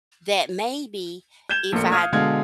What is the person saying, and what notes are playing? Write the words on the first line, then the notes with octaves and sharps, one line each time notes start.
that maybe if I
G6 G#6 E7 G7
A#1 A#2 A3 A#4 C#7
F5 D#6 F6 G#6
B2 D3 G#3 F5 F6 G#6